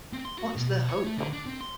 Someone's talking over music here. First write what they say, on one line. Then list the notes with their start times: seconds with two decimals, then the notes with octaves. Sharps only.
What is their hope?
0.13 C4
0.25 C6
0.38 F#4
0.56 B2
0.68 B2
0.89 C#5
1.05 A3
1.18 D3
1.33 D4
1.46 C4
1.61 C6